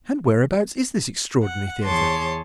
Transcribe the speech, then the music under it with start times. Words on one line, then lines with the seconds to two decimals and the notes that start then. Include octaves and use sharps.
And whereabouts is this extraordinary theatre?
1.43 F#5
1.83 E2 G#4 C#5 A5 C6 D6